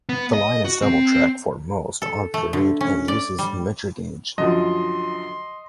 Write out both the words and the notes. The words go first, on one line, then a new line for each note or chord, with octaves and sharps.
The line is double track for most of the route and uses Metre Gauge.
B3
D#5
F#4
C4
A4
A3
D3
C#4
D5
G3
F#2 D3 F3 D#5 C6